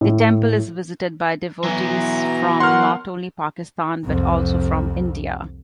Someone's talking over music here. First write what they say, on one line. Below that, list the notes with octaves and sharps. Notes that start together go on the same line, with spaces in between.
The temple is visited by devotees from not only Pakistan but also from India.
A2
E3 F#3 B3 A#5
A#4 C#5 F#5 C6 F6
C2 F2